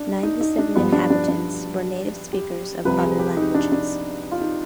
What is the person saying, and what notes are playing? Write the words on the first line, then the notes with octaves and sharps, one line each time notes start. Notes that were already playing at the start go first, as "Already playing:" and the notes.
Ninety-seven inhabitants were native speakers of other languages.
Already playing: D4
D#4
D#4
D4
G2 F3 B3
D4
D4
D4
G4
C2 C3 F3 B4
G#4
G4
D#4
D4
D4
F4
D#4